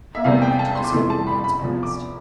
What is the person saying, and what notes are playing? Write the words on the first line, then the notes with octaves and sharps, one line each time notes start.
"How am I to discover the man's past?"
E5
E2 C3 G3 C4 F5
G5
A5
C6
D6
F2 C3 E3 A3 C6
A5
B5
B5
E2 C3 F3
D6